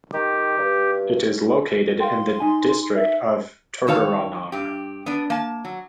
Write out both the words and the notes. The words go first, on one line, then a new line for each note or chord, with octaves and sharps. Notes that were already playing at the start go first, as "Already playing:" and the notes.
It is located in the district of Tuggeranong.
D#3 G4
G2
F5 G5 C6
D#4 G#5
E5
F2 D#3 C#5 F5 A5
G2 G4
B3 D4
A#3 A5
F#3